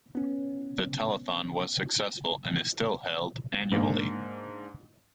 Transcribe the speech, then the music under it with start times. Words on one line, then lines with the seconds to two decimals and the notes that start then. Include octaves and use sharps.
The telethon was successful and is still held annually.
0.15 B3 C#4
3.72 G#2 A#3 D4